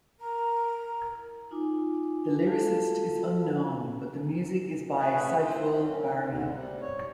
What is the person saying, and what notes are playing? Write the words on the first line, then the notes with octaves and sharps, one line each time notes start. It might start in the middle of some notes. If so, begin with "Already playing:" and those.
The lyricist is unknown but the music is by Saiful Bahri.
A#4 A#5
D#4 F4 G#5 D6
F4 F#4 A4 F5 A5
A3 C#4 F#4 G#4 B4
E4 F4 C5
D3 C4 C#4
D2 G#2 D3
C3 G3
C#5